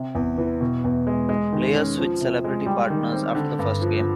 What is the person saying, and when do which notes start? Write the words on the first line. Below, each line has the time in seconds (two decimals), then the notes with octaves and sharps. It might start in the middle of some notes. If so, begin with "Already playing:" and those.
Players switched celebrity partners after the first game.
Already playing: C3
0.15 E2
0.38 E3
0.61 B2
0.84 E2
1.07 G#3
1.29 G#3
1.52 D#3
1.76 C#4
1.98 F3
2.20 C3
2.44 G#3
2.66 G3
2.90 D#3
3.12 C4
3.35 D3
3.59 G2
3.81 F3